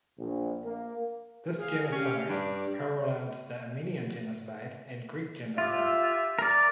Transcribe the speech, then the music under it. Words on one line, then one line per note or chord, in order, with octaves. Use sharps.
This genocide paralleled the Armenian genocide and Greek genocide.
A#1
A#3
G#4 F5
C#4 G4 F5
G2 D5
F4 G4 E5
A#4 D5